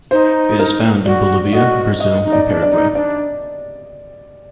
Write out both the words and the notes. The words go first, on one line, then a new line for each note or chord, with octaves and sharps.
It is found in Bolivia, Brazil, and Paraguay.
D#4 C5
A#4
F#4 D5
F#4 D#5
D#5
D#4
D5
D4
D5
D#4
D4 D5